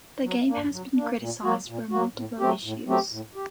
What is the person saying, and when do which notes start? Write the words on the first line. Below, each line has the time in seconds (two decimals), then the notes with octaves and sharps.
The game has been criticized for multiple issues.
0.24 F#3
0.48 A#3 D4
0.72 F#3
0.96 A#3 D4
1.20 A#2
1.44 F#3 A#3 F#4
1.68 A#2
1.92 F#3 A#3 F#4
2.15 A2
2.40 F#3 A3 C4 G4
2.64 A2
2.87 F#3 A3 C4 G4
3.11 A2
3.35 G4